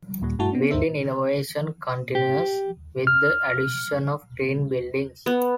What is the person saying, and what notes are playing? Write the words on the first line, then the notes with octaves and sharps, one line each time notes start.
Building innovation continues with the addition of "green" buildings.
D#2 A#2 G3
G2 A3 E4 F#4 A5
B3 C4 D4
D#2 G#2 A#4 C5 E5
G4
F6
B3